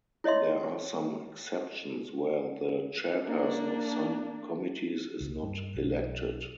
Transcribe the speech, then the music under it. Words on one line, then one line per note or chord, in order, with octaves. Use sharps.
There are some exceptions where the chairperson of some committees is not elected.
E4 C#5 D#5 E5 C6
A#3 D4
C#2
G2
B1